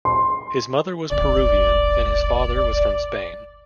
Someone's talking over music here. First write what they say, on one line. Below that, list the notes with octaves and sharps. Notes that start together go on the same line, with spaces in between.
His mother was Peruvian and his father was from Spain.
C6
D1 G1 D5